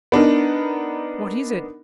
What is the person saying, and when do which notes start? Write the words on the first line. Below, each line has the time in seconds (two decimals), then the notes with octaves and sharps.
What is it?
0.12 B3 D4 D#4 A#4